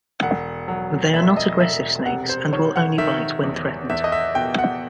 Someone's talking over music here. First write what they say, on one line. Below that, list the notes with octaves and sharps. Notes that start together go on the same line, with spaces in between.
They are not aggressive snakes and will only bite when threatened.
E1 F#5
F#3
E1 E5
D#5
E1 E5
C3 F#5
C5
D#3 C#5
F#5
D#3 E5
E2
E2 E5
D#5
E5
B2 G5
F#5